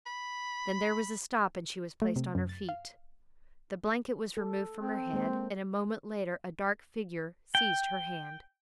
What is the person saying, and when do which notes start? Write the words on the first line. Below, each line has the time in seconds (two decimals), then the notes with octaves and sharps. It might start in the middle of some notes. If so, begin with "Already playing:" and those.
Then there was a stop, and she was placed on her feet; the blanket was removed from her head, and a moment later a dark figure seized her hand.
0.06 B5
2.02 A3
2.16 C3
2.35 F#2
2.49 A6
2.69 F5
4.37 A4
4.78 C4
5.13 G#3 A#3 C5
7.55 G5